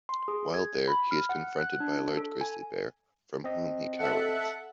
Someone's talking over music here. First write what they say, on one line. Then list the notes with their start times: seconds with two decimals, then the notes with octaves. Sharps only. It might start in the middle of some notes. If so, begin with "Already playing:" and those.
While there, he is confronted by a large grizzly bear, from whom he cowers.
0.09 C6
0.28 G#4
0.54 G#6
0.88 B5
1.11 F6
1.29 F#5
1.58 F#6
1.80 D4
2.17 A4
2.41 G#5
3.44 C4 D#5
3.99 A4 E5 F#5 F#6